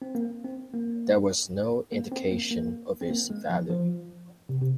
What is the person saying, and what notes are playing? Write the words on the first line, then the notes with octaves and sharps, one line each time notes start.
There was no indication of its value.
C4
A#3
C4
A#3
A#3
C4
A#3
A#3
C4
A#3
G#3
F3
F3
C3
C3